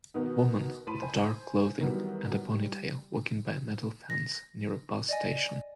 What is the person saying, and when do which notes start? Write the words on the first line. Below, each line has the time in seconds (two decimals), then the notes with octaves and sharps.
A woman with dark clothing and a ponytail walking by a metal fence near a bus station.
0.14 B2 D#3 B3 D#4
0.87 A2 A5 B5 C6 D#7
1.02 C5 G#5
1.81 D#3 E3 F#3 G3 B3 E4
2.52 G3
4.10 A#6
5.09 D5 D#5 G#5